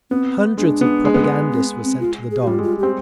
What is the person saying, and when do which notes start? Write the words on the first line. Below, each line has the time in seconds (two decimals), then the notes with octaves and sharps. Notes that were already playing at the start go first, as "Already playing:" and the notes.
Hundreds of propagandists were sent to the Don.
0.11 B3 C4
0.58 G#3 D4
0.81 B3
1.05 G#3
1.14 B3
1.24 G#3
1.53 C4
1.84 C4
2.00 F4
2.31 G#4
2.41 G4
2.47 G3 F4
2.59 G#3 F4
2.79 C4 G4